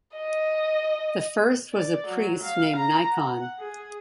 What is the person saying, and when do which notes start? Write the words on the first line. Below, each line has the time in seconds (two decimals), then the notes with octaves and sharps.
The first was a priest named Nikon.
0.17 D#5
1.73 D5
2.07 F#3
2.43 F5
2.76 A#5
3.10 F#5
3.58 G#4